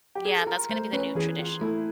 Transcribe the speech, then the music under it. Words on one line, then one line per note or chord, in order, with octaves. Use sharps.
Yeah, that's gonna be the new tradition.
G4
G#4
A4
F4 A#4
A3 C5
C#4 B4
E3 G#4
F4
A3 E4